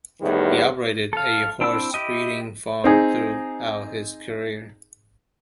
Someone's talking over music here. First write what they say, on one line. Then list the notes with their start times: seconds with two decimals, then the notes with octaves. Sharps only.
He operated a horse-breeding farm throughout his career.
0.21 E2 A2 D#3 G3
1.13 A4 F5
1.61 C4 D4 E4 G5 E6
1.94 E4 G4 D#5
2.84 C4 D#4 G#4